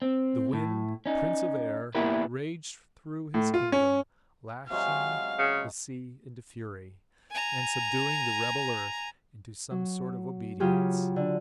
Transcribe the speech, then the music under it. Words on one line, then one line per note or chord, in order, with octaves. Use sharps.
The wind, prince of air, raged through his kingdom, lashing the sea into fury, and subduing the rebel earth into some sort of obedience.
C4
A2
C#4 D#4
A#3 B3 E4 G4 A#4 B4
A2
F4
C#4
C3 F#3 G#3 F5
C#3
G#5 A#5
F#3
C#3 F#3 F4 G4 G#4
D3